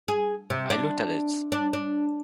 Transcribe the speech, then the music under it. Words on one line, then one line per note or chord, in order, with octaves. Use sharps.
I looked at it.
G#4
C3
D4
D4
D4